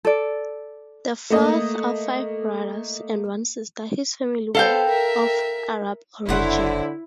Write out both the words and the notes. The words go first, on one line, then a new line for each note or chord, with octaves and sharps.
The fourth of five brothers and one sister, his family were of Arab origin.
A4 D5
A3 A#3 D#5
B3 A4 C5 F5 G5
A#4 E5
F#1 D3 E4 C5 C#5 F#5